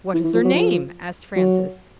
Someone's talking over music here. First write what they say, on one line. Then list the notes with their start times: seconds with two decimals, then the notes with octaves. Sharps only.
"What is her name?" asked Francis.
0.14 E3
0.24 E3
0.34 F3
0.45 F#3
0.54 F3
1.36 F#3